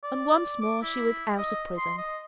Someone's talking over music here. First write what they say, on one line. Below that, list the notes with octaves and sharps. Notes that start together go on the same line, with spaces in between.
And once more she was out of prison.
D5
D6
E4
D#5
C6
D#5